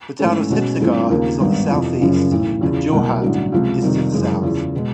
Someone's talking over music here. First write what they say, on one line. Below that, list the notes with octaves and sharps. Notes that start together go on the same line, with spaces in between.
The town of Sibsagar is on the southeast and Jorhat is to the south.
G#2 E3 A3 C#4
B2 G#3 C#4 F#4
G2 E3 A3 C4 F4
D#2 C#3 F3 A#3
G#1 G2 D#3 G3 B3
F2 C3 E3
F#1 F#2 C#3 F3
B1 A2 E3
E2 C#3 F3
C2 B2 F#3 A#3
A1 G2 D3 F#3
C#2 C3 F3
F2 C3 D#3 G3
F#1 F#2 C#3 E3 G#3
E2 C#3 F3
B2 G#3